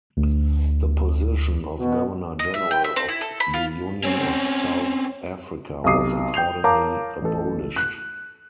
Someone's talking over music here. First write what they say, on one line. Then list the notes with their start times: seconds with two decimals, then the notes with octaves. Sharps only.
The position of Governor-General of the Union of South Africa was accordingly abolished.
0.17 D2
1.78 B2
2.39 D#5
2.54 E5
2.71 G5
2.84 E5
2.96 C4
3.09 E4
3.21 A4
3.40 B5
3.54 F4
4.04 C4 C#4
5.84 B1 C3 D6 D#6 C7
6.34 G5 G6 C7 F7
6.64 A#4 C#5 F5 A5 A#5 D6
7.22 A1 A4
7.76 F#6